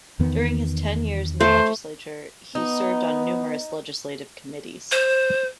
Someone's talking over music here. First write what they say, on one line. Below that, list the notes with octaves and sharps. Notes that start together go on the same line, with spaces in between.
During his ten years in the Legislature, he served on numerous legislative committees.
E2 D#3 B3
A3 C5
B3 D#4
C5